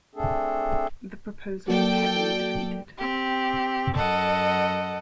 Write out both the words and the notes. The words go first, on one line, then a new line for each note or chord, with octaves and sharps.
The proposal was heavily defeated.
A3 C4 D4 G#4 A4
F#3 A#3 F#4 A4 D5 G5
C4 G4
F#2 A4 D#5 F#5